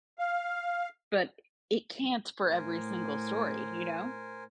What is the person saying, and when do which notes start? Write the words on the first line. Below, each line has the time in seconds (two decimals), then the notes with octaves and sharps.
but it can't for every single story, you know?
0.19 F5
2.49 A2 A#4 C5 G#5